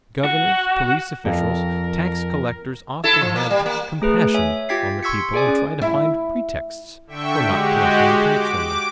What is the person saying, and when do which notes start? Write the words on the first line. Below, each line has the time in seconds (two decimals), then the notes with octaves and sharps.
Governors, police officials, tax collectors often have compassion on the people and try to find pretexts for not collecting the tax from them.
0.24 F#4
1.25 F2 A#4
3.04 E4 A4
3.21 F3
3.36 A#3
3.50 G3
3.66 A#3
4.02 A3 G#4 B4
4.34 C#5 E5 G#5
4.69 F4 G4 G5 G#6 B6 C7
5.03 C6 C#6 E6 G#6 B6 C#7
5.34 G#4 D5 G#5
5.47 C#4
5.82 E4
7.07 D3 E5 G5 C#6
7.42 G#3 F#4 G4
8.21 D6